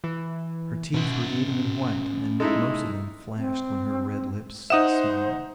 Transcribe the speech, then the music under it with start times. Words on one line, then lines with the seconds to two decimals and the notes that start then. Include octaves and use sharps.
Her teeth were even and white, and most of them flashed when her red lips smiled.
0.04 E3
0.94 B2 C#4 E5
2.40 G#3 D#4 E4 A4
3.36 C4
4.70 D#4 C5 E5 F#5 D#6 E7